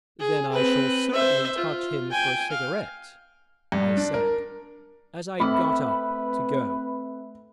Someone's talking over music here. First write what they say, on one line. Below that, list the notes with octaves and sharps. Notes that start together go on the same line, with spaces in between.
"Then I shall certainly touch him for a cigarette," I said, as I got up to go.
G#4
C4 B4
C5 E5
F4
G5 G#5
F5
G2
D4
A#4
A3 C4 B4 E5 B5